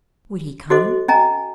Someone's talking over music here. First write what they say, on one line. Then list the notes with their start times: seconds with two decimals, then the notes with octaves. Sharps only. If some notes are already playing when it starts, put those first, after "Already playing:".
Would he come?
0.70 F#4 A4 C5 D#5 D6
1.08 C#4 D#5 G#5 A#5